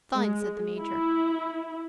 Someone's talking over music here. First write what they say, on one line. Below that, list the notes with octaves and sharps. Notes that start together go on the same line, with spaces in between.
"Fine," said the Major.
G#3
E4